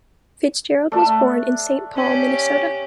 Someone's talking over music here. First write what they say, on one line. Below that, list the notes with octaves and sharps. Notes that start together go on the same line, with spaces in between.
Fitzgerald was born in Saint Paul, Minnesota.
A3 D4
C#4 G4